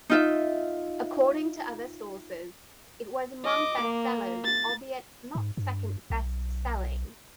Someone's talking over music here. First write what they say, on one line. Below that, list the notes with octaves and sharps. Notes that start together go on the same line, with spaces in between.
According to other sources, it was among best-sellers, albeit not second-best-selling.
D#4 F4 E5
D#5 D6
A#3
A6
G#2
G2
B1